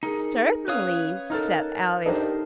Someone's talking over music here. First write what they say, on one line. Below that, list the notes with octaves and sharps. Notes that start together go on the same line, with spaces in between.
'Certainly,' said Alice.
D#4 G#4 A#4
C#4 B4 C#5 F5 D#6
D#4 A4 A#4 F6 A6
D4 D#4 G4 A4 A#4 C5 D#5